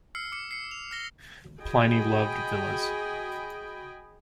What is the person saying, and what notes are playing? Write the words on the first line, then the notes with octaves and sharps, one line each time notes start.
Pliny loved villas.
E6 F6 C7 C#7
D6 C#7
C7 C#7
F7
F6 A#6 G7
F#4 G#4 D#5 G5 G#5 B5